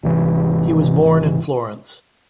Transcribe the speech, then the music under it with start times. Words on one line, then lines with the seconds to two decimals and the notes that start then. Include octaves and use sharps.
He was born in Florence.
0.03 G#1 C3 E3